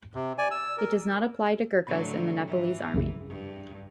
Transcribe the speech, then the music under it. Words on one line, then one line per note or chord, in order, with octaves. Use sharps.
It does not apply to Gurkhas in the Nepalese Army.
C3
D5 G#5
E6
A#4
A2 D3 F#3 B5
G#2 E3
B1 F#2 C#3
G2